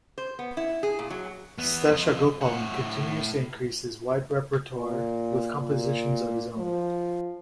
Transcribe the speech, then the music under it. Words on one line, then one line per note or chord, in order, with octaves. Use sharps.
Seshagopalan continues to increase his wide repertoire with compositions of his own.
C5
B3
E4
G#4
A#2
F#3
E2 B3
F2 D#5
A2 F#5
A#2
A#2
F3